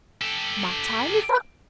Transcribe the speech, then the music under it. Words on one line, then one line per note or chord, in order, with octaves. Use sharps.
My time is up.
G4 A4